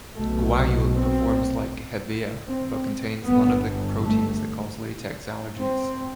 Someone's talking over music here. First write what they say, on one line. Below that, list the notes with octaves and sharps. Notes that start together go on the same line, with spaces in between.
Guayule performs like "Hevea" but contains none of the proteins that cause latex allergies.
B1 B2 A3
C4
C4
G1 G2 B3
A3
C4